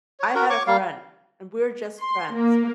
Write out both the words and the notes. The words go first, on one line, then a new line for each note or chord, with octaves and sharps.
I had a friend, and we're just friends.
C#5
F#4 A#4
C#5 C#6 D6
G3 A#3 F5
C6
A#3